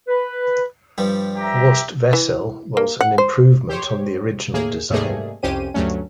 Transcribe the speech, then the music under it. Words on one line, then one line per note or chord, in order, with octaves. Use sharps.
"Horst Wessel" was an improvement on the original design.
B4
G2 F3 G3
G4 E5 A#5
E3
A#3
F#5
C5
G4 C5 C#5
A2 A#3 G#4
G#2 C3 G3 A3 A#3 G#4
C2 F2 C#4 G4 C5 D#7
D2 G2 F#3 A3 C#4